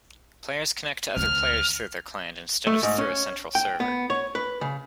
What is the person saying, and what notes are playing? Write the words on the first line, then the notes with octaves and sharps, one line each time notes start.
Players connect to other players through their client, instead of through a central server.
D2 F6
A3
G#2
C#4
G5
B3
C#5
B4
C#3